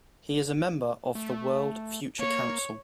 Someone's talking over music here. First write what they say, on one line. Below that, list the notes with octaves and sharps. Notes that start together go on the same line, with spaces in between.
He is a member of the World Future Council.
A3
A#3 C#5